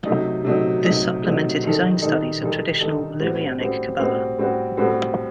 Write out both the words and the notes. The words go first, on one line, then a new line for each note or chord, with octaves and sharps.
This supplemented his own studies of traditional Lurianic Kabbalah.
C3 F#3 A3 D#4
C3 F#3 A3 D#4
C3 F#3 A3 D#4
C3 F#3 A3 D#4
D#3 G3 D#4 A4
D#3 G3 D#4 A4
D#3 G3 D#4 A4
D#3 G3 D#4 A4
A2 G3 C4 F#4
A2 G3 C4 F#4
A2 G3 C4 F#4
A2 G3 C4 F#4
A2 G3 C4 F#4 A4